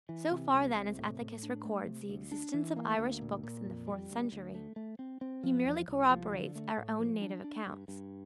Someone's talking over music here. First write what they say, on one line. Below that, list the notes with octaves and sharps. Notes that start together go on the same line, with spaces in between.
So far then as Ethicus records the existence of Irish books in the fourth century, he merely corroborates our own native accounts.
E3
C3
C2
C3
A2
A2
D4
A3
C3
D2
D4
E3
A#3
D2
A#2
A#2
F2
G3
D2
D2
A3
A3
C4
C4
F3
E2
C2
F3
D3
A3
A2
F3
D4
D4
G2
G2